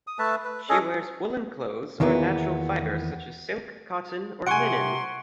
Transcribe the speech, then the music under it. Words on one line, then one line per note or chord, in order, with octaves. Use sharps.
She wears woollen clothes or natural fibres such as silk, cotton or linen.
D#6
A3 B4 E5 A5
B4
C#4 G#4 A4 D#5
E2 D#3 E3 A#3 B3
C3 F#5 G#5 C6 C#6 C#7 D7